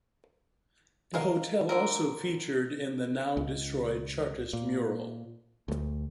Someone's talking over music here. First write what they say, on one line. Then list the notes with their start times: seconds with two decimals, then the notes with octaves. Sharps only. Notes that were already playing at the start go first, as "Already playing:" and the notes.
The hotel also featured in the now-destroyed Chartist Mural.
1.14 G#3 A#4 F5
1.69 D3 F#3 A#4
3.37 C#2
4.53 A#2
5.68 D2